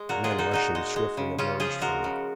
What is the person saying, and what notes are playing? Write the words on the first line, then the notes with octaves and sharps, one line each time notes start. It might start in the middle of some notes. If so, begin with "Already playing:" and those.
Men rushing swiftly emerged from it.
Already playing: G#3
A#2 F#4 A#4
F4 G#4
G#3
D#4 F#4
A#2 D#4 F#4
G#3
G#3
C#3
C#3 C#4 F4
F3 F4 G#4
G#3 F#4 A#4
C#3